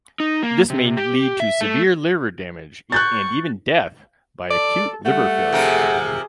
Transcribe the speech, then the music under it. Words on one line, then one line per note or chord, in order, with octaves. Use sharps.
This may lead to severe liver damage and even death by acute liver failure.
D#4
A#3
C3
G4
E5
A3
C#6 F#6 G6 A6
A4 D5
G3 A3 F#5
C3 F3 G#4 A#4